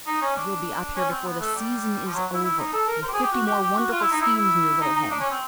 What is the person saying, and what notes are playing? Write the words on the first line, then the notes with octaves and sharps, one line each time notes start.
You'll be up here before the season is over, with fifty more wonderful schemes in your little head.
D#4
C#4
D4
C#4
C4
B3
A3
G3
F3
F#3
E4
E4
D#4
A4
A#4
C5
G4
G#4
G4
F#4
G4
G4
F#4
F4
E4
D#4
E4
E4
D#4
D#4
D4
C#4
C4